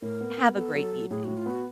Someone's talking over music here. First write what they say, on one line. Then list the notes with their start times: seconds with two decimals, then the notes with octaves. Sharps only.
Have a great evening.
0.02 A2 A#4
0.21 B3
0.38 B3
0.56 B3 A4
0.74 F#3
0.92 F#3
1.11 A2 G#4
1.24 A2 F#4
1.37 F4
1.46 B3 F#4